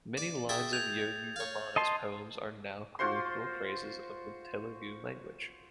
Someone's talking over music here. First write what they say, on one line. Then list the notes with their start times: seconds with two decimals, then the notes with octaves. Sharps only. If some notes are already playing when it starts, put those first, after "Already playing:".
Many lines of yogi Vemana's poems are now colloquial phrases of the Telugu language.
0.17 D5
0.49 G#4 E5 G5 A6
0.73 G6 G#6 F7
1.36 C#5 F5
1.76 D#5 A5 C6
2.99 F4 F#4 C5 C6